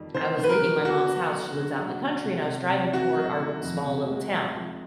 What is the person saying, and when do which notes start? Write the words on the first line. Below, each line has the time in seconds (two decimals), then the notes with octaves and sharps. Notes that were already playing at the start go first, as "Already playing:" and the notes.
I was leaving my mom's house- she lives out in the country- and I was driving toward our small little town.
Already playing: F2 D#3 G3
0.14 D#3 C5
0.39 D#3 B4
0.49 A#4
0.62 D#3
0.84 B3 F#4
1.07 B3
1.30 F#3
1.54 D3
1.77 F#3
2.00 D3
2.23 C3
2.47 C3
2.70 C3
2.93 C3 F#4
3.17 F#3
3.40 D#3
3.63 F2
3.86 C3
4.10 G#3
4.33 G#3
4.56 F3